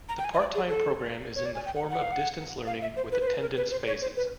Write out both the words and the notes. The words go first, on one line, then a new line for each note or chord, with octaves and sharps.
The part-time program is in the form of distance learning with attendance phases.
A#5
G5
G#5
D#5
D5
G#4
A4
C#5
D5
G#5
G5
F#5
F#5
F5
F#5
F5
E5
C5
B4
C5
B4
A#4
B4
C5
C#5
C5
B4